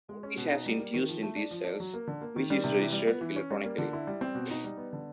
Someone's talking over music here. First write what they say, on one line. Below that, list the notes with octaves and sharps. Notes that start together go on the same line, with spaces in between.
A voltage is induced in these cells, which is registered electronically.
G#3
C#4
B2
D#4
G3
A#3
D#3
F3
A3
D4
F3
D4
F#3
A#3
D3
A#3
D#3
G3
C3
E3
G3
B3
E3
C#4
G3
A#3
D3
E4
G3
C4
B2
D#4
G3
B3
D3